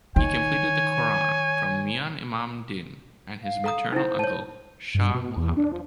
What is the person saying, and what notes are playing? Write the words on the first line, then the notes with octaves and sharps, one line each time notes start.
He completed the Quran from Mian Imam Din and his maternal uncle Shah Muhammad.
D#3 C#5 G#5
F5
A4 A#5 D#6
D#4 E4 C5
C#5 A5
G2
B2
E2
D4
F3